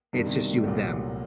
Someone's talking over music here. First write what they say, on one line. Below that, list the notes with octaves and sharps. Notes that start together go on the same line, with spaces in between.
it's just you and them,
G2 B2 D#3 G3
C3
B2
A2
C2 A#2 F#3